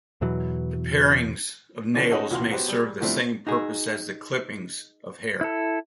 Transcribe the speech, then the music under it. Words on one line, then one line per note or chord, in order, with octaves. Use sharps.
The parings of nails may serve the same purpose as the clippings of hair.
E2 B2 E3 F#3
D3 E3 F3 C#4 D4
C#4 D#4 F#4 G#4 A4 C#5
C#2 B2 E3 F#4 F5 C6
F#3 B3 F#4 G4 C5
G3 G#4
A2 D3 F3 G3 A3 C4
D#4 F#4 G#4
E4 A4